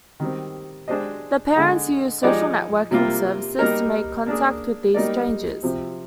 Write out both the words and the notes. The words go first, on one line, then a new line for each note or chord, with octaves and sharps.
The parents use social networking services to make contact with these strangers.
D#3 G3 C4
G#3 D4 G4 C5 D#5
D3 G#3 D#4
F3 G#3 D#4 G4 D5
C3 G3 A#3 F4
G3 A#3 D#4 A#4
A#3 D4 G#4
G3 A#3 D#4 A#4 D5
C3 F3 C4